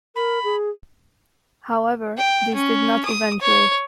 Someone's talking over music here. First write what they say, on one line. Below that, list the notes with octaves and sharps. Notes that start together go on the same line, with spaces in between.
However, this did not eventuate.
A#4 B5
G#4
G5
C#4
D#6
C#5